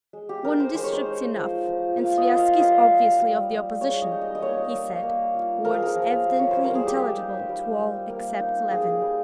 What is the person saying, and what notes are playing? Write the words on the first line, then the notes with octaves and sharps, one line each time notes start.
"One district's enough, and Sviazhsky's obviously of the opposition," he said, words evidently intelligible to all except Levin.
G#3
G4
D#4 A#4
C5
G#3 C5
C#5
C5
D#4
F3
F3
A#3 F5
D#5
A#3
F5
G3 D#5
G3
G3
G3
G#3 C#5
D#5
D#4
D#5
D#5
A#3 C#5
A#3
A#3
F4
F3 A#4
G#4
A#4
F3
G3
C#5
C5
G3
A#4
G#4
A#3 G4
D#4
G3
G3
A#3
D#4
G3 G#4
G3